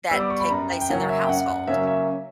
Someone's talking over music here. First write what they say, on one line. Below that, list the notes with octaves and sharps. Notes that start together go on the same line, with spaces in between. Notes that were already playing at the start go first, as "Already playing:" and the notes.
that take place in their household
G3 B3 E6
D6
C#6
B5
F#2 A#5
G5
G5
C#3 F#3 A#3 C#4 F#5
E5
G5
F#2 F#5
F#5
C#3 F#3 A#3 C#4 E5
E5